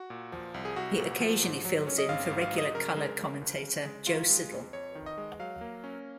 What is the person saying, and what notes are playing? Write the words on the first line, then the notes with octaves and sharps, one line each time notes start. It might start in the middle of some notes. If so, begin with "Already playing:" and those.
He occasionally fills in for regular colour commentator Joe Siddall.
Already playing: F#4
A#2
F3
C2
G#4
C2 F#4
A#2
F3
G#2
F#3
C#4
D#5
G#1 F5
F5
G#2
F5
F#3
D#5
C#3 A#4
G#3
C#2
C#2
C#3
G#3
D#3 F4
G#3
F2
F2 C#5
D#3
D#5
G#3
F#3 F5
A#3
C#4